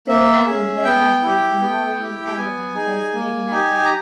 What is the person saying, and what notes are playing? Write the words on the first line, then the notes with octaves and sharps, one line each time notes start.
Philip Anglim plays Macbeth and Maureen Anderman plays Lady Macbeth.
A#3 E5
C#4 G#4
B3 G5
E4 G4
B3
E4 G4
G5
B3 G#5
D#4 G#4
A#3
D#4 G4
A#5